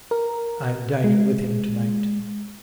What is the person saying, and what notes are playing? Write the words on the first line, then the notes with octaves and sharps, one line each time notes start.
I'm dining with him to-night.'
A#4
G#3